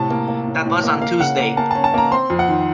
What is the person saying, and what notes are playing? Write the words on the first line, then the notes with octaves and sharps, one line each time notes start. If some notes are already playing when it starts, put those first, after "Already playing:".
That was on Tuesday.
Already playing: A2 C3 A5
A#3
A#3
A2
A2
A#3
A#3 F5
C#3 F#5
A#3
A#3 A5
A5
C#4
A5
A#3 A#5
C4 C6
F2
F#5
D#3